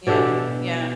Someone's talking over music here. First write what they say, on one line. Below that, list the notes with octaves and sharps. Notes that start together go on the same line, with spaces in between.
Yeah. Yeah.
B2 D4 G4 A4